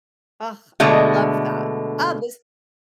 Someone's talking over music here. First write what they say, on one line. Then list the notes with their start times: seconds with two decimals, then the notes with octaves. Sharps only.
Ugh, I love that. Oh, this
0.80 B2 D3 G#3 A3